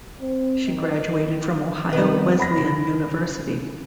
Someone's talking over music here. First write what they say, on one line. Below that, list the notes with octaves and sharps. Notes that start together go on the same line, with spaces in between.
She graduated from Ohio Wesleyan University.
C4
D#3
C3 G3 B3
B5 A#6
C#3